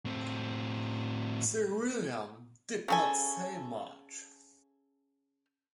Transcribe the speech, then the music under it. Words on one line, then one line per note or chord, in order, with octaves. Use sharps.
Sir William did not say much.
A2 C4
C#3 A4 G#5